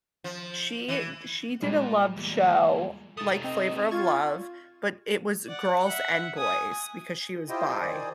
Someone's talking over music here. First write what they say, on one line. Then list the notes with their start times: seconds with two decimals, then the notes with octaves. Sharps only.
she d she did a love show, like, Flavor of Love, but it was girls and boys, because she was bi.
0.24 F3
0.88 E3
1.62 A#2 G3 G#3
2.17 E2 A#2
3.17 A3 D#4 D#6 A6
3.44 C4 D#5
3.91 F4 C#6 G#6 A6
5.47 D5 F#5
5.85 E5 F#5
6.37 G#5 D#6
7.49 E4 F4 G4 C5 D#5 G5
7.80 D#3 C5 D5 G#5 D#6